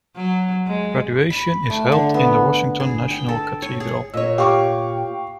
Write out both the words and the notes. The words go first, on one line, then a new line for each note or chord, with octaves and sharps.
Graduation is held in the Washington National Cathedral.
F#3
G#3
B5
A3
D3
B3
G#4
G5
A4
C#5
G#4
A#2 C#5 D#5 E6
G4 F5 G5 C#6 D6